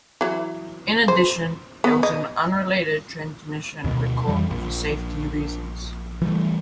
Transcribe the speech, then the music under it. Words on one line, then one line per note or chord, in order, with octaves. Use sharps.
In addition, there was an unrelated transmission recall for safety reasons.
E3 F#3
C5
B3
D#5
D2 B2 D#3
F2 E3 G3
A#1
E3 G3 A3